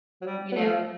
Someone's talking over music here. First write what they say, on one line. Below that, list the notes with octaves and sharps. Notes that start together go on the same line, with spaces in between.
You know.
F#3
G3
B3
A3